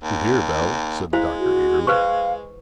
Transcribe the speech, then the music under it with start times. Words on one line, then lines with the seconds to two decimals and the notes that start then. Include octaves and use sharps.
"You hear, Bell," said the Doctor, eagerly.
0.04 D#2
1.13 G#3 E4 C5 F5
1.39 F#4
1.87 B4 C5 F5 C#6